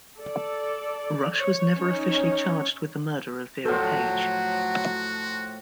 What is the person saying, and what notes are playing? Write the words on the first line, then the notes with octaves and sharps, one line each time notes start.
Rush was never officially charged with the murder of Vera Page.
A4 D5
C#5
C#4 D#4 C#5
A2 F3 F#3 F#4 A4 C5